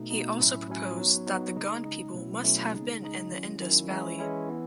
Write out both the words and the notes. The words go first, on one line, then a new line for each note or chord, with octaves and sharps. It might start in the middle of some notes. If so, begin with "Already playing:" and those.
He also proposed that the Gond people must have been in the Indus Valley.
Already playing: B2 A3 D#4
B2 A3 D#4
A2 F#3 C#4 E4
A2 F#3 C#4 E4
F#3 B3 D#4
F#3 B3 D#4
C#3 G#3 D#4
C#3 G#3 D#4
B2 F#3 A3 C#4 E4
B2 F#3 A3 C#4 E4
C#3 G#3 D#4
C#3 G#3 D#4
D#3 F#3 C#4 E4
D#3 F#3 C#4 E4
E3 G#3 C#4 E4
E3 G#3 C#4 E4
E3 B3